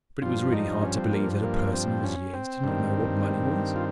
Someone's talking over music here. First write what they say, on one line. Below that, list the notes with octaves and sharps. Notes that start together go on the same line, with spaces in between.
But it was really hard to believe that a person of his years did not know what money was.
G2 F3 F4
D#4
C#4
C4
A#3
A#3
C4
C#4
C4
G2 D#3
F4